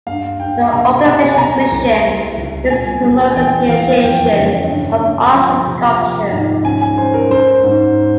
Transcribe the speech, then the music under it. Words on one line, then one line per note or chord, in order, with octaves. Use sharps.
The organization's mission is to promote the appreciation of arts and sculpture.
G2 F5
G2 G5
C3 A#5
C3 G#5
G#5
C3 A#5
C2
G3
C#2
A#2 G#5
G3
G#5
E2 G5
E2 F5
F2 G5
C#3
G2
G2
F3
C3
F3
G#2
C#4 G#5
G#5
C#4 C5
A#4
C#4 C5
G#2